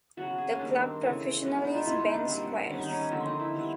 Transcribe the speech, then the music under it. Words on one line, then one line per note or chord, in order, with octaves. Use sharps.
The Club Professional is Ben Squires.
C#3 F#3 B3 F#4
G#4
C#4
D#3 G3 A#3 D4
C4
C#3 E3 A3
B2 G#3 B3 D4
D#4
F4
B2 G#3 B3 E4
D#4
D4
B2 G3 A#3 C4
D#3 G3 B3 C#4
D#4
C#4
B3
D3 F3 A#3 C4
D#4
E4
D#3 G3 B3